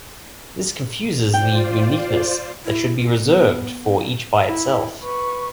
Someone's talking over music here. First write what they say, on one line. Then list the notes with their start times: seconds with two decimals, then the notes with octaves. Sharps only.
This confuses the uniqueness that should be reserved for each by itself.
1.34 F4 C5 D5 G5
2.65 E4
2.99 F4
3.22 B3
4.46 E4
5.01 B4 C#6